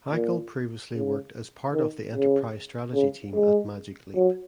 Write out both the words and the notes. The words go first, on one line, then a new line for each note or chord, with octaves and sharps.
Hackl previously worked as part of the Enterprise Strategy team at Magic Leap.
A#2
C#3
D#3
C#3
C#3
G#3
F#3